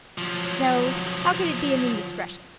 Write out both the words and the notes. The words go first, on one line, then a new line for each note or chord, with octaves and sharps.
No, how could it be an indiscretion?...
F3 F#3